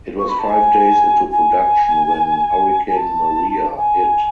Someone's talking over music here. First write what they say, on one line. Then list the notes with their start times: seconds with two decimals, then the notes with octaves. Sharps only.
It was five days into production when Hurricane Maria hit.
0.18 C#6
0.28 B5
0.38 A5
0.48 G#5
1.31 G#5
2.87 G#5
2.95 A5
3.77 G#5